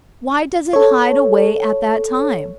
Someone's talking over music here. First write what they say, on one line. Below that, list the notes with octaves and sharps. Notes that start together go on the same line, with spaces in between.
Why does it hide away at that time?
A4 C#5